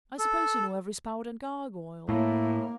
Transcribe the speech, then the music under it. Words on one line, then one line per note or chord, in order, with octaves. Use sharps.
"I suppose you know every spout and gargoyle!"
A4
A2 A#3